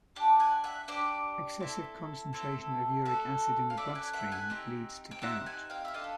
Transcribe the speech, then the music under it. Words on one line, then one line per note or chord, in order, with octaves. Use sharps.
Excessive concentration of uric acid in the blood stream leads to gout.
D4 G4 G5 A5
F#5 G#5
E5 F#5
D4 G4 C5 D5
C4 E4 A4
C4 E4 A4
C#4 F#4 A4
F5
C#4 F#4 A4 D5 E5
F#5 G#5
E5 F#5
F#5 G#5
C4 D#4 G4
G5
C4 D#4 G4 E5 F#5
F#5 G#5
F5 G5
E5
D4 F4 A4 D#5 F5